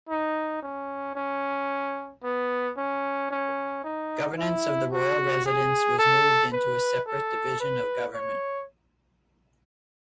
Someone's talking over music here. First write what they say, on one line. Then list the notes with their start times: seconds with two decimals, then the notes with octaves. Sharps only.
Governance of the royal residence was moved into a separate division of government.
0.09 D#4
0.62 C#4
1.16 C#4
2.24 B3
2.78 C#4
3.30 C#4
3.84 D#4
4.38 E4
4.92 F#4
5.46 G#4
5.99 A4
6.53 B4
7.07 A4
7.60 B4
8.14 C#5